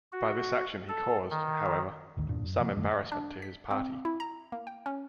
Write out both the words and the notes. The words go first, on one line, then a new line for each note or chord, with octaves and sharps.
By this action he caused, however, some embarrassment to his party.
F#4
A4
D#3
G#1 D2 D#3
E2 G2 A#2 D4
F#2
C3 F3 A#3
F#2 D#3 G3 A3
D4
B6
C4
E4
A#5
A#3
G5
C#4